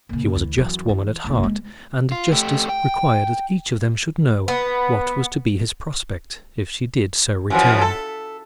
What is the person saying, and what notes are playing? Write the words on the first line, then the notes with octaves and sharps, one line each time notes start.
She was a just woman at heart, and justice required that each of them should know what was to be his prospect if she did so return.
A#2 C#3
D2 E3
F#2 E3
E3
F#1 C2
G#3 C#4
F4
A3 G4
G5
B3 B4
F#2 E3 F3
A4